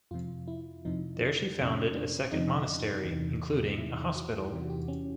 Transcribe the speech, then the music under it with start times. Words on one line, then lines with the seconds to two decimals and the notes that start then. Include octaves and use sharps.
There she founded a second monastery, including a hospital.
0.11 F2 C3 F3 F4
0.48 E4
0.85 F2 C3 F3 D#4
1.21 D4
1.58 F2 C3 F3 C#4
1.94 D4
2.32 F2 C3 F3 D#4
3.04 E2 C3 E3
3.78 E2 C3 E3 E4
4.15 F#4
4.51 E2 C3 E3 G4
4.61 F#4
4.70 G4
4.88 C#4